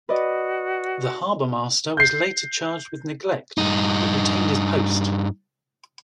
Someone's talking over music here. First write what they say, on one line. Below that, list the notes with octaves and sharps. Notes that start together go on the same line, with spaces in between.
The harbormaster was later charged with neglect, but retained his post.
F#4 B4 D5 D#5
G6 C7
G2 D#4